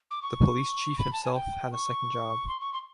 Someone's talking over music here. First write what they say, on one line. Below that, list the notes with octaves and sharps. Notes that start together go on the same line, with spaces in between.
The police chief himself had a second job.
D6
C#6
B5
A5
G#5
G5
C#6
C6
C#6
C6